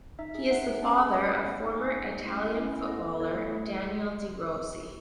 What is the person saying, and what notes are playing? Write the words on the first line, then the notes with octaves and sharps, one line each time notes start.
He is the father of former Italian footballer Daniele de Rossi.
D#4 E5
G#4
E5
D#4 F#5
G#4 F#5
C#4 A5
G#4
F#5
C#4 B5
G#4 B5
B3
D#4 G#4
B3 G#5
D#4 G#4
A3
C#4 E4
A3 F#5
C#4 E4
B3 D#5
E4 A4 D#5
B3 D#5
E4 A4 C#5
A3 D#5